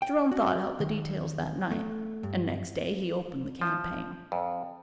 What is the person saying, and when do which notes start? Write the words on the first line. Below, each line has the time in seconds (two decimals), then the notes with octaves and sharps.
Jerome thought out the details that night, and next day he opened the campaign.
0.02 G5
0.32 F#4
0.80 D#3
1.71 A3
2.23 G2
3.61 F3
4.32 F2